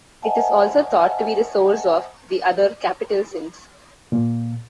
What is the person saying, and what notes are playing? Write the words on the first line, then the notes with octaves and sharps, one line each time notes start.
It is also thought to be the source of the other capital sins.
C5 D#5 E5 F#5 G#5 A5
A#2